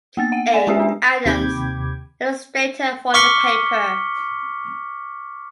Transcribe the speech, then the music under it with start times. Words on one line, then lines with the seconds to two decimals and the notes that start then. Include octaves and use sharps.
A. Adams, illustrator for the paper.
0.17 A#3 B3 A6
0.32 F#5 D#7
0.54 D5 D#5 G#5
0.67 G#3 C#4 G4 G#4 E5
0.80 D4
1.26 D#2 C3 G5 B5 D6 G#6
3.14 C#6 D6 F6 B6 C#7 G7